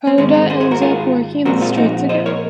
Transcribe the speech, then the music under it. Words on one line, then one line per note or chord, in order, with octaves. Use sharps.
Adua ends up working in the streets again.
C4
G#2 D#3 G#3 C4 C#4
G#4 C5
G#4 C5
G#4 C5
F#4 A#4
F4 G#4
A#2 F3 G#3 C4 F#4 A#4
F4 G#4
D#4 F#4
C5 D#5
A#4 C#5